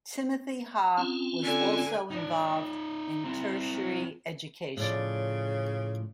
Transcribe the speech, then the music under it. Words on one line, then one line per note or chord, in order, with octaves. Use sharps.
Timothy Ha was also involved in tertiary education.
C4 C#4 F4
D3 G#5
D#4 D5
C4 E4
A2 C#3 F3 D5